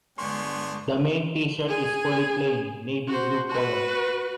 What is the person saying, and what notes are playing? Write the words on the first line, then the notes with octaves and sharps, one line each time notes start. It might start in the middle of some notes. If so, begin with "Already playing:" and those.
The main t-shirt is fully plain, navy blue color.
G1 G#3 B3 D4 G#5 C6 C#6
G#4 G#5
F#4 C5
F#4 B4